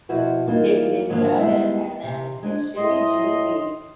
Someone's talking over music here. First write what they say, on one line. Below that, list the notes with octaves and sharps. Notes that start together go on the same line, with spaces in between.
stick it in the oven and then it should be juicy
B2 F3 E4 F#4 B4
E3 G3 A#3 D#4 F4
G#2 D3 D#3 F3 F#3 A#3
G3 G#3 B3 C4 E4
C3
G#3 D4
A2 D#5 C6